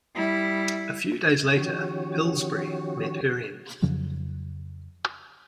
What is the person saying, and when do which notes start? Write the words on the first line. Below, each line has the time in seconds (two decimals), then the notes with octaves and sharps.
A few days later "Pillsbury" met her end.
0.15 G3 E4
1.56 D#3 F3 C#4 F#4 G4 C#5
3.82 F2 C#3 F3 F#3